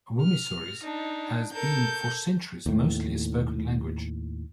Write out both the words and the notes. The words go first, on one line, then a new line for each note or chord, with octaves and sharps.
Wymysorys has been for centuries mostly a spoken language.
F6
D4 D#4
A4 A#4 G6
D#2 A2